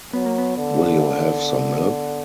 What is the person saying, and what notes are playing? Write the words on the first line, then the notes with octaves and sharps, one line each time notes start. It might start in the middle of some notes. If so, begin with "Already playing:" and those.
Will you have some milk?
F#3 B3
A#3
B3
D3